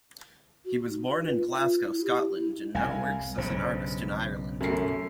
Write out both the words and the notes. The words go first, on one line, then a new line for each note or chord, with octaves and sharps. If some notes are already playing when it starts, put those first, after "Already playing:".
He was born in Glasgow, Scotland, and now works as an artist in Ireland.
F#4
D#4
B4
F4
F4
E4
G4
E4
E4
C2 F5 G#5
B1 G2 C#3 C5
F#2 A3 C7